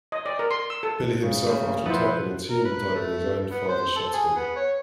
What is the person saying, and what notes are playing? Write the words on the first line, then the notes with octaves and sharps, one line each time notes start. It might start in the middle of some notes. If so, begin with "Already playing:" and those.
Billy himself, after attacking the team, died when his own father shot him.
D#5
D5
A#4
C6
E6
A4
C#3
A3 A#3
F3 E4 B4 C5 F#5
A#4
B4
A3
B3
C5
A4
G#4
B3
C#5